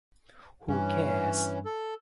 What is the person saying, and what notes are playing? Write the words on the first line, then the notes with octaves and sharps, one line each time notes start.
Who cares?
G2 E3 C#4
A4